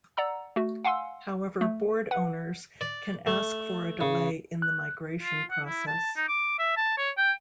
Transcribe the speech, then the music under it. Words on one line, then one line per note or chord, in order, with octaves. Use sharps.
However, board owners can ask for a delay in the migration process.
D5 F#5 A#5 E6
A3 F#4
F5 F#5 G#5 C6 E6
A3
B4 F#5
D5
A3
C#3
F#6
F4
F#5
E4
A5
D#4
D6
E5
A5
C#5
G5